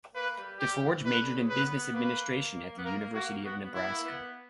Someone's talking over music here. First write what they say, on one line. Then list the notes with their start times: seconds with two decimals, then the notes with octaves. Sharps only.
DeForge majored in Business Administration at the University of Nebraska.
0.14 A#3 B4
0.38 G3
0.60 G3 G4
0.83 E3
1.05 D3 B4
1.35 C#3
1.49 B4
1.64 B3
1.94 A#3 B4
2.78 B3
2.84 A#3 A#4
3.14 A#3 F#4
3.44 B3 F#4
3.64 B3
3.74 A#3 E4
3.83 B3
3.91 A#3
4.05 B3